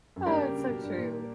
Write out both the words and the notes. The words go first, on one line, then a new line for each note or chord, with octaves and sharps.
Oh, it's so true.
F#2
G2 G3 A#3 D4 G4 A#4
C#3
C#3
C#3
B2
G2
A#2